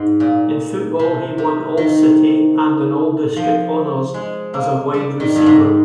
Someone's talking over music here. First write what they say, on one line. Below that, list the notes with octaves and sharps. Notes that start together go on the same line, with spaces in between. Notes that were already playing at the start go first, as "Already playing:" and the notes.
In football, he won All-City and an All-District honors as a wide receiver.
Already playing: G#2
A#2
C3
C3
D#3
F3
G#3
A#3
G3
D#3
G2
G#2